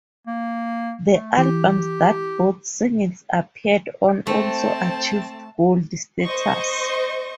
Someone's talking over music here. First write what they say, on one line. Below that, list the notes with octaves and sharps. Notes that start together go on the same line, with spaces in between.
The albums that both singles appeared on also achieved Gold status.
A#3
A3
E3 G4
A3 C4 C5 A5
C5 D#5 C#6